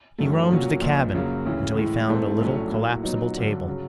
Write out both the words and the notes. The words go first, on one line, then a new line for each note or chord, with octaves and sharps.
He roamed the cabin until he found a little collapsible table.
F#2 D#3 F#3 A3
A#2 F#3 A#3 C#4 F#4
A#1 A#2 F3
F#2 C#3 F#3 A#3
D2 C#3 E3
A2 E3 G#3
G#2 E3 A3 C4
A#1 A2 F#3 A3 C#4
A2 F#3 A#3
A#2 F#3 B3 D#4
G2 D3 F#3
C#3 F#3